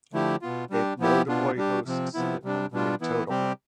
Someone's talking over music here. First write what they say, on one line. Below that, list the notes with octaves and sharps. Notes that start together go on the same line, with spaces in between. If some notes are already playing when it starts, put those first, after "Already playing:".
It notably hosts the company Total.
D3 F3 A3 E4 G4
B2 B3 F4
G3 D4 G4
F3 B3 E4 G4
B2 B3 D4 F4
G3 D4 G4
C3 F3 C4
C3 F3 B3 E4
C3 G3 D4
B2 G3 D4 F4
E3 B3 E4
C3 G3 C4 G4